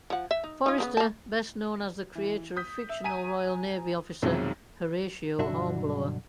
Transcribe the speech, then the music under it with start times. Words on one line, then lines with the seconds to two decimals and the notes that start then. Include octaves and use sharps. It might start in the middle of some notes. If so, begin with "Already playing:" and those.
Forester, best known as the creator of fictional Royal Navy officer Horatio Hornblower.
0.10 F3 F#5
0.31 E5
0.44 D#4
0.66 D#4 F4
0.78 C#3 F#3 B3
0.97 A#3 A5
2.15 E3
2.57 D#6 G6 B6
2.89 E5
3.04 G#5 A#5 B6 D#7
4.22 B1 F2 C3 D#3 F#3 G#3
5.39 B1 G2 D3 D4 F#4 E5